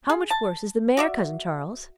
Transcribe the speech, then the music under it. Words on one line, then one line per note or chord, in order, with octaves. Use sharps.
"How much worse is the mare, cousin Charles?"
G#4
A5
F#4 D5 E5